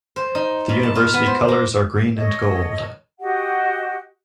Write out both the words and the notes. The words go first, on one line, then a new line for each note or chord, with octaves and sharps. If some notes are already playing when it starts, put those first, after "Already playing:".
The university colors are green and gold.
C5
D#4
B2
A5
F4
B3
C5
A#3
A4 C#5 D#5
F#4 G4 D#5 F#5